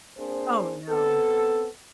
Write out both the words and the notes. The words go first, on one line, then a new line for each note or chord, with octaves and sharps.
Oh, no.
A#3 C4 D4 G#4 C5
B3 C4 A4